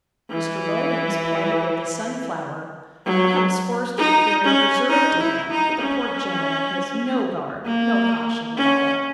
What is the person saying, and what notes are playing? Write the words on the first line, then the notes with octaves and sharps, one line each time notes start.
Mr. Williams pointed at the sunflower, but I was forced to be very reserved to him; for the poor gentleman has no guard, no caution at all.
E3
F#3
D#4
C#4
D#4
E4
D#4
C#4
A#3
C#4